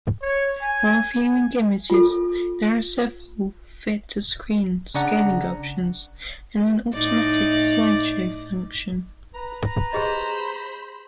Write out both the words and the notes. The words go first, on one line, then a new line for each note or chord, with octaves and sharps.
While viewing images, there are several fit-to-screen scaling options and an automatic slideshow function.
C#5
G#5
F4 A4
C#3 D4 D5 F#5 A#5
A2 D#4 D5
B4 A#5
G4 G#4 C5 D#5 B5